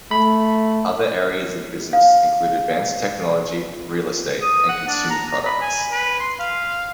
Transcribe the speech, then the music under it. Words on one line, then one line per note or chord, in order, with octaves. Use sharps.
Other areas of business include advanced technology, real estate and consumer products.
A3 B5
F5
D#6
F#5
D4
A#5
A#5
B5
G#5
B4
C6
F5